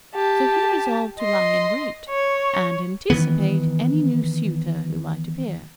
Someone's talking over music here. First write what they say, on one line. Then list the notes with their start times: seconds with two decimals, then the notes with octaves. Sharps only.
So he resolved to lie in wait, and anticipate any new suitor who might appear.
0.15 G4 A5
1.19 D#5 C6
2.09 C#5
3.10 D#3 E3 B3